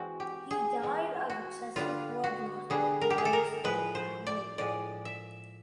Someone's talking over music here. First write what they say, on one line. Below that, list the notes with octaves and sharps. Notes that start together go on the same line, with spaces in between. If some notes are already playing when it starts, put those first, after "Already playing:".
He died of excessive blood loss less than an hour later.
Already playing: E3 G#3 C4 F#4
G4
G#4
E3 G#3 C4
F#4
D3 G3 B3 D4 F4
F#4
D3 G3 B3 D4 G#4
A#4
G4
G#4
A4
A#4
A2 F3 G#3 B4
C5
D5
A2 F3 G#3 D5
E5